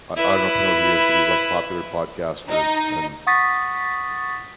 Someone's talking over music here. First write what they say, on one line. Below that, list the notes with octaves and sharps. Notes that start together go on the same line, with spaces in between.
I I don't know if you know who he is, but he's, like, a popular podcaster, and
E4 B4
D#4
F#5 C#6 D#6 A6 B6